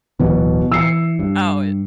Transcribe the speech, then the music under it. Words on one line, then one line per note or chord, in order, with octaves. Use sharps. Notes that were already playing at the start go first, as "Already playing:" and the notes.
Oh, i
D1 B2 E3 F#3
E3 E6 C7 C#7
G2